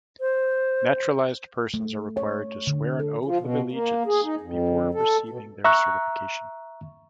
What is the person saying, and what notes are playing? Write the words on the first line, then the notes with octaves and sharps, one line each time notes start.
Naturalised persons are required to swear an oath of allegiance before receiving their certification.
C5
A3
C#5
D3
A4
F3
B2
A#3
G#4
D#4
F2
A4
B2
E5 A#5 C#6 F#6